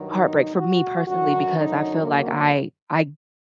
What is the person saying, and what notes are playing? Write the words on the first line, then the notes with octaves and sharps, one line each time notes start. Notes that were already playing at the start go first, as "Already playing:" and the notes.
heartbreak for me personally because I feel like I I g
Already playing: G2 D#3 F#3
D#4
F#4
F#2 D3 F#3 F#4
D#4
A#3